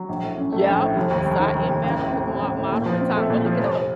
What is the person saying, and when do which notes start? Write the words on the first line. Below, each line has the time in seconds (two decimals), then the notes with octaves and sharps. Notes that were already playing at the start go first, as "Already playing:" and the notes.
Yep, it was si it matter with mod modern time, go look it up.
Already playing: F#3
0.09 A#1
0.23 A2
0.37 C#4
0.52 A3
0.67 A#1
0.81 A2
0.96 F1
1.10 D#2
1.26 F1
1.40 D#3
1.54 F1
1.69 D#2
1.84 A1
1.99 A2
2.13 C4
2.27 A3
2.42 A1
2.57 A2
2.72 A#2
2.86 F3
3.01 C4
3.16 A3
3.30 A#2
3.45 F3
3.59 F1